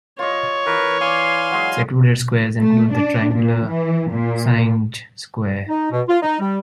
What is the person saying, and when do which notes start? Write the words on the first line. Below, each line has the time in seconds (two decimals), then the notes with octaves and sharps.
Secluded squares include the triangular Canynge Square.
0.19 F4 C#5 D#5
0.66 E3 A#4 B4
1.01 D5 F5 G#5 C6
1.51 F#3 G#3
2.59 A3
2.93 D4
3.34 A#2
3.66 E3
4.10 A#2
5.68 D#4
5.92 B2
6.07 F4
6.22 D#4
6.40 G3